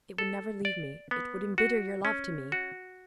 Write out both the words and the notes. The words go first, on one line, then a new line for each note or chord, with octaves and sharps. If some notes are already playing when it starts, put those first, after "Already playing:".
It would never leave me; it would embitter your love to me.
A4
D5
B3
F#4
C#4
F#4